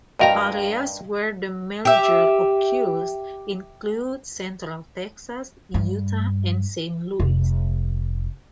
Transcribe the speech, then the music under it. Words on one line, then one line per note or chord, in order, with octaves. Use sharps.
Areas where the merger occurs include central Texas, Utah, and Saint Louis.
G2 A#4 D#5 F5 G5 A#5
G4 E5
G2
F1